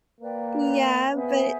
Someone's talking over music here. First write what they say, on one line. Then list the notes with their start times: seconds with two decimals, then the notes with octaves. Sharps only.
yeah, but
0.20 A#3 B4 D5 G5
1.14 B3 G#4 C5 E5 G#5